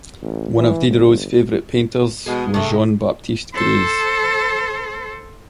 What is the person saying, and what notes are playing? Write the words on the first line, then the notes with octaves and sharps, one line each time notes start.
One of Diderot's favorite painters was Jean-Baptiste Greuze.
A1
E3
G1
B2 G#3 G#4
C3 G#3 A3
A4 C5